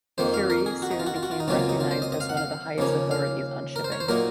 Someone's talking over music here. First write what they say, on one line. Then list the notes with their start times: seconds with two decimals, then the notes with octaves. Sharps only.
Currie soon became recognised as one of the highest authorities on shipping.
0.18 F2 D#3 A#3 C5
0.34 F5
0.50 A#4
0.66 G#4
0.82 F#4
0.91 D#4
0.99 F4
1.06 F#4
1.16 F4
1.23 F#4
1.31 F4
1.40 D#4
1.48 C#2 C3 F#3 A#3 C#4 F4
1.59 F4
1.69 D#4
1.80 F4
1.91 C5
2.02 D#5
2.12 D#5
2.20 F5
2.29 F#5
2.37 F5
2.78 D#2 C#3 F3 A#3 C#4
3.11 F5
3.76 A#4
3.84 C5
3.92 C#5
4.00 C5
4.08 A#2 F#3 A#3 D#4 A#4